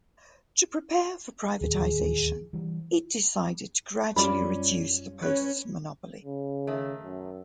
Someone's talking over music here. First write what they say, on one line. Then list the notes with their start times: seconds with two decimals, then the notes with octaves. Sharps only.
To prepare for privatization, it decided to gradually reduce the post's monopoly.
1.61 D1 D#2 G#4
2.53 E3 G3
4.16 F#2 G3 C#4 F4 D5 B5
5.22 C#4 B4 C#5
6.24 C#3
6.67 D#3 A3
7.03 F#2